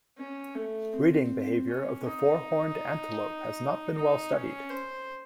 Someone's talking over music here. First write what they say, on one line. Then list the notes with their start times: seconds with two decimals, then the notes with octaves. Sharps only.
Breeding behaviour of the four-horned antelope has not been well studied.
0.18 C#4
0.55 A3
0.93 C4
1.68 C#4
2.06 D#4
3.95 D#4
4.32 C#4
4.70 C5